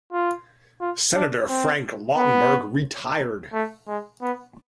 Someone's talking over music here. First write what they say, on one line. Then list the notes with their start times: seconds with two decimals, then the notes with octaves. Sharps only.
Senator Frank Lautenberg retired.
0.13 F4
0.81 F4
1.14 D4
1.49 C4
2.17 B3
3.53 A3
3.88 G#3
4.22 B3